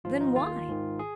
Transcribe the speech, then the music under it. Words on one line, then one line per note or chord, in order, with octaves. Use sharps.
Then, why?
G#1 G#2 F3 F4
D#4
D#2 D#3 F4
G#1 G#2 D#3
G#4